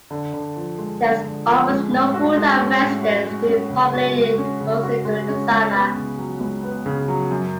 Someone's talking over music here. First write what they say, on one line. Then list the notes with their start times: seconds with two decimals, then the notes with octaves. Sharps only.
It has almost no full-time residents, being populated mostly during the summer.
0.11 D3
0.33 D3
0.56 F3
0.78 G#3
1.01 D3
1.24 D3
1.45 F3
1.69 G#3
1.91 A2
2.14 F#4
2.36 G#3
2.59 C#4
2.81 A2
3.03 F#4
3.26 G#3
3.48 C#4
3.70 C#3
3.93 F#4
4.16 G#3
4.38 C#4
4.60 C#3
4.83 F#4
5.05 G#3
5.28 C#4
5.51 C#2
5.73 B3
5.96 C#3
6.18 F#3
6.40 C#2
6.63 B3
6.86 C#3
7.08 F#3
7.31 F#2